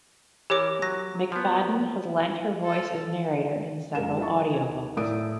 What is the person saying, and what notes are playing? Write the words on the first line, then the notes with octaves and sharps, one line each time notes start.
McFadden has lent her voice as narrator in several audio books.
E3 G4 A#4 C#5 D6
F#3 A#6
F3 B3
A4
F#1 G#3 A#4 E7
E4 D#5 A5 C#6
D#5
G#5
D#2
A2 A4 A#4 D5 D#6 D7